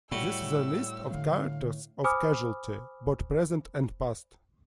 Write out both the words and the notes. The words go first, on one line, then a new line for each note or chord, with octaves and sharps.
This is a list of characters of "Casualty", both present and past.
A2 G3 F#4 G4 E6
D3 F5
C5 G#5 B5 D6 D#6 F6